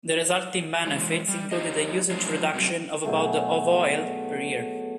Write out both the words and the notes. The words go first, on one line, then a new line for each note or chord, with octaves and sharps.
The resulting benefits included a usage reduction of about of oil per year.
E3 G#3
G3
D#4 G4 C5 D#5
F3 F#3 G#3 D4 F4 C5
F#2 C3 F#3 G3
B2 F#3 A3 G#4